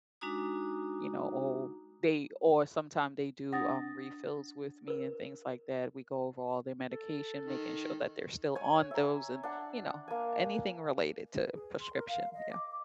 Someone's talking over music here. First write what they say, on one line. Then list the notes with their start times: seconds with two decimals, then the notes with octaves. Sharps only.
you know, oh they or sometimes they do, um, refills with me and things like that, we go over all their medication, making sure that they're still on those and, you know, anything related to prescription, yeah.
0.21 G#3 D4 D#4 F#4 A#5 D#6
3.53 D4 F#5 D#6 A6 A#6
4.88 A#4 B4
6.91 A4
7.45 D#3
8.55 C#5 G#5
8.91 E5 A#5
9.43 D4 F#5 A5
10.08 A#3 G#5
11.37 B4
11.54 G#4
11.79 C6
11.91 A#4
12.08 F5
12.33 D#5
12.51 D6
12.70 D6